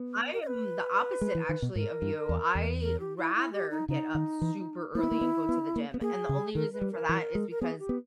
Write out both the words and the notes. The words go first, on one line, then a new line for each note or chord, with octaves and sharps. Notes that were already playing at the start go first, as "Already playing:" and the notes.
I am the opposite actually of you, I rather get up super early and go to the gym, and the only reason for that is because,
Already playing: B3
A#4
D#5
B4
G#3
E3
D#3
B2
G#2 A#4
G2
E2
E2
A#4
G4
E4
E4
G4
D#4
C#3 D#4
D#3
E3
A#3 E4
B3
A#3
B3
B3
A#3
B3
A#3 G#4
C#3
D#3 A#4
B4
G3
A#4
E3
G#3
A#4
B3 G#4
G4
B3